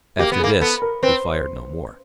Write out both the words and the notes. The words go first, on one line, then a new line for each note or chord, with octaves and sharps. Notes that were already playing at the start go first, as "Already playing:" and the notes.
After this he fired no more.
A#3 G4
B3
G#4
A#3
B3 A4
A#4
C4 B4